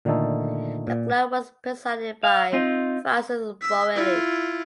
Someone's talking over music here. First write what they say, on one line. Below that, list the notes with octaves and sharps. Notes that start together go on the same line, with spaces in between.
The club was presided by Francis Borelli.
A#2 D3 D#3 A3 D#4 A4
A#2
F5
C4 D#4 F4
E6 B6
E4 F4